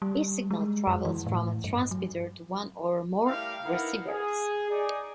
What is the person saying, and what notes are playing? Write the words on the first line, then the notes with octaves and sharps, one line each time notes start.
Each signal travels from a transmitter to one or more receivers.
G3
G#3
F#2
E3
A2
G2
F#3
G3 A3 E4 G4 A#4 F5
B3 D#4 E4 A#4 F5 F#5
G#4
D#4 G#4 D5